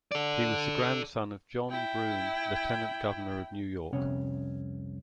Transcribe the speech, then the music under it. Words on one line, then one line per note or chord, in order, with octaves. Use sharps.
He was the grandson of John Broome, Lieutenant Governor of New York.
A4 D5
E4 G5
C2 F2 C3 B3 C#4 F#5